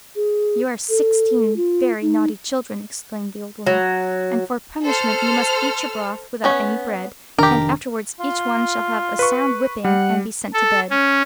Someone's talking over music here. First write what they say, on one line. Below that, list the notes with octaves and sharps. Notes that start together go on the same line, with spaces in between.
"You are sixteen very naughty children!" exclaimed the old woman; "and for punishment you must eat your broth without any bread, and afterwards each one shall have a sound whipping and be sent to bed."
G#4
A4
F4
D#4
F#3
A4 C5 F6
B3 C#4 C#5
F1 D#3 D4 G4 A#4
F4
B4 C#6
G3 F#5
A4
C#4